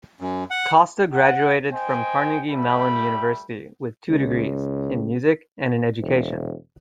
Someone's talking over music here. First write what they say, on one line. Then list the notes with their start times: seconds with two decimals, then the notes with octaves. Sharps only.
Costa graduated from Carnegie Mellon University with two degrees, in music and in education.
0.21 F#2
0.51 F#5
1.13 F#5
1.70 C5 D#5 G5 G#5
2.48 G3 A3 G5 B5
4.09 C#2
6.01 E1